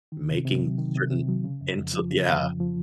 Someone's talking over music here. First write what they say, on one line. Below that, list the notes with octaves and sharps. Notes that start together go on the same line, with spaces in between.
making certain into yeah.
D#3
C3
C3
F#3
D#3
C3
C3
F#3
C#3
F2
F2
F3
C#3
F2
F2
F3